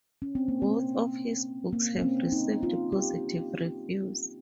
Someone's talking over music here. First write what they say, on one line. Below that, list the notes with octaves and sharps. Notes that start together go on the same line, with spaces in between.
Both of his books have received positive reviews.
C#4
C4
A#3
C4
A#3
C#4
C4
D#4
F4
G4